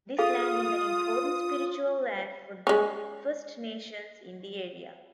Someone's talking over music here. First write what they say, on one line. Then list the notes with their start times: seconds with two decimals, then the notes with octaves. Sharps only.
This land is an important spiritual land for the First Nations in the area.
0.19 F4 G#4 A4 F5 D#6
2.67 G#3 C#4